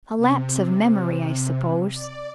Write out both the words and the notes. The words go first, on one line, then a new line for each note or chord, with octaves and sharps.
A lapse of memory, I suppose.
C3
D5